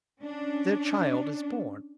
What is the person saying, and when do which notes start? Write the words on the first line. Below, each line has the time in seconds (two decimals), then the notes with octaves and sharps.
Their child is born.
0.18 C#4 D4